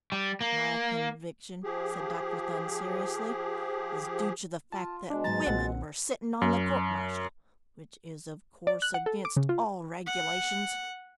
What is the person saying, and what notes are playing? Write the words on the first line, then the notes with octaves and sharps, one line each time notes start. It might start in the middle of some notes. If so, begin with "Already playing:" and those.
"My conviction," said Dr. Thun seriously, "was due to the fact that women were sitting on the court martial, which is, of course, against all regulations."
G3
A#3
F3 G4 G#4
F4 A5
B2 G#3 D4
G#2 F#3 A#5 A6
B1 A#2 C4 F#5
F#2
D5
F#6
F#5
A4
D6
C#3
F4
F#5